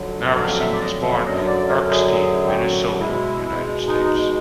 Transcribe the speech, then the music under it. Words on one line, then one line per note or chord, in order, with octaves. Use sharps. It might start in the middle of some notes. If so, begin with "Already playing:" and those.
Narveson was born in Erskine, Minnesota, United States.
Already playing: F2 D3 F#3
F5
E5
D5
D#5
E5
F#2 D3 F#3 D#5
D5
A#4
G#4
G#4
G4
F#4
B2 G#3 E4
D#4